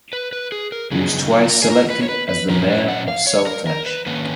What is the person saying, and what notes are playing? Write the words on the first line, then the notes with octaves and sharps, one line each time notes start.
He was twice selected as the Mayor of Saltash.
B4
B4
G#4
A#4
C#3 F#3 B3 D#4 G#4
A#4
G#4
A#4
B4
C#5
B4
B4
A#2 F#3 C#4 A#4
A#4
B4
F#5
F5
C#5
A#4
A#4
B4
D#3 A#3 C#4 B4